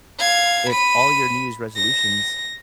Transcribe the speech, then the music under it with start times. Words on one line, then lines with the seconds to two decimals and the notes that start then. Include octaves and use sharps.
if all your New Year's resolutions
0.19 F5 G#6
0.70 B5 D#7
1.76 A#6